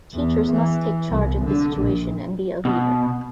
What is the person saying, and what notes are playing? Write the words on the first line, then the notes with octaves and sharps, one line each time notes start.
Teachers must take charge of the situation and be a leader.
E2
E3
C2
D3
A#1
B2